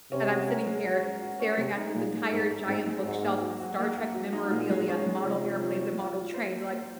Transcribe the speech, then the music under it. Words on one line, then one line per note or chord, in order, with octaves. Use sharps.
and I'm sitting here staring at this entire giant bookshelf of Star Trek memorabilia and model airplanes and model trains like,
C3 C#4
F#4
A#4
G#3
F#4
C#4
F#4
C#4
C3 G#3
D#4
A#2 G#3
G#3
G#2 D#4
D#4
G#2 C4
G#3
G#2 F#4
A#3
F#3
F#4
A#3
A#3
F#3
D#4
A#2 G#3
G#3
C#4
G#3
C3 F3
F3
F3
F3
F4
F4
C5
A#3
A#3